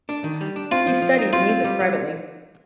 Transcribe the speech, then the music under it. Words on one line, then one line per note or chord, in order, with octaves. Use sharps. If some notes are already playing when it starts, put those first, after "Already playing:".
He studied music privately.
D4
D#3
G3
D4
C4 F4
F3
F3
D#4
C4 F4
C4
G3
G3